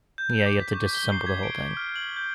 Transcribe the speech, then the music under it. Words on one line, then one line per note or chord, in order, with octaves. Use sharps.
Yeah, you've to disassemble the whole thing.
G6
D6
B6
C#6
G7
C7
G#6
D7
F6
F#7
G6